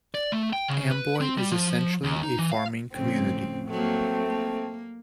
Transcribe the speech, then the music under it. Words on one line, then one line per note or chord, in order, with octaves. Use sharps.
Amboy is essentially a farming community.
D5
A3
G5
C#3
B4
C4
G3
F3
D#2
D#4
E3
F5
F2 A2 C#3 C4
F#3 A3 A#3 C4
A#3